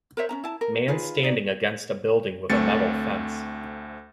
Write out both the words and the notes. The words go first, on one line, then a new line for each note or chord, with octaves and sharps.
Man standing against a building with a metal fence.
A#4 C5 C#5 E5
C#4 D#4 A#5
E4 A5
A#4
D#4 F4 G#4 B4
D#4 D5
D2 A3 C4 A6 C#7